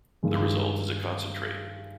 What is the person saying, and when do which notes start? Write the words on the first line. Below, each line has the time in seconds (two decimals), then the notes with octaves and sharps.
The result is a concentrate.
0.23 G2 D#3 G#3